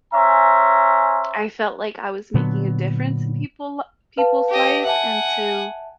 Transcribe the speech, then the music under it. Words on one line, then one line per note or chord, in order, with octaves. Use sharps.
I felt like I was making a difference in people people's life, and to
C#4 C5 E5 G#5 A#5
A#2 D3 F#3 B3
B4 F5 A5
G4 D#5
E5 F#5 G#5 A5